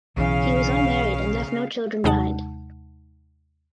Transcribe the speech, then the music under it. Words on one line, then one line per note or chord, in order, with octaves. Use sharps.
He was unmarried and left no children behind.
B1 C#3 E3 F5
D#2 C3 G#3 D#4 F#5 A5